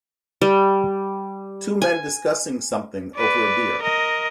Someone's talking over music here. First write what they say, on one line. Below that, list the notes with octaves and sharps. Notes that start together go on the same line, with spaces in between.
Two men discussing something over a beer.
G3
G#5
B4 D5
A#4 D#5